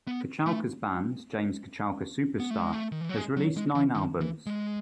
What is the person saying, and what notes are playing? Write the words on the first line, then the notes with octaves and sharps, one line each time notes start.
Kochalka's band, James Kochalka Superstar, has released nine albums.
B3
A3
B3
A3
G#3
A3
D#3
E3
F#3
G#3
F#3
G#3
E3
D#3
E3
G#3